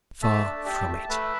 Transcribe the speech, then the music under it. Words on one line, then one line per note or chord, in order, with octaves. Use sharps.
Far from it.
A3 E5 A5
D4
G4 E5 A5
A3
A3 B4 E5